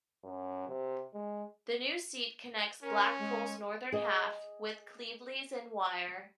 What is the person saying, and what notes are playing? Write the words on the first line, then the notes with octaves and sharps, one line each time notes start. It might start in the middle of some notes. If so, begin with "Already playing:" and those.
The new seat connects Blackpool's northern half with Cleveleys in Wyre.
F#2
C3
G#3
C#4 A#4
G#3
G#4 D#5